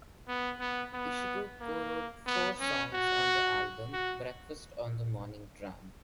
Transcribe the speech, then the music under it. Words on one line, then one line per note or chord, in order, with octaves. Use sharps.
Ishiguro co-wrote four songs on the album "Breakfast on the Morning Tram".
B3
B3
B3
A#3
B3
C#4
F#4
F#4